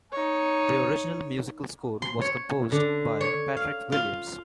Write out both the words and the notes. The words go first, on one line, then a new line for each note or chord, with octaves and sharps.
The original musical score was composed by Patrick Williams.
D#4 C#5
C6
C#5
D3
C#5
F5
F4